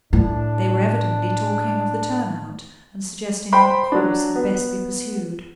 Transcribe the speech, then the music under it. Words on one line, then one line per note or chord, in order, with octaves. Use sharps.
They were evidently talking of the turn-out, and suggesting what course had best be pursued.
A2 D4
C5 G5 B5 C6
F#3 D4
B3